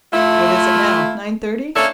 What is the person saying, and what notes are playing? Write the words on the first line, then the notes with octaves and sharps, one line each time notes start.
What is it now--nine thirty?
A3 E4 F4
A#3 C#4 D4 E4 A4 C#5